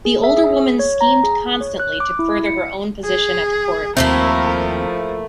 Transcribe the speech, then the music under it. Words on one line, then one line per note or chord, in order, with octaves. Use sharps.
The older woman schemed constantly to further her own position at the Court.
G#4
E5
G#4
C#5
A#5
G#4
C#5
F#6
D6
E4
C#7
G#4
D#2 F3 A3 A#3 C4 E4 A#4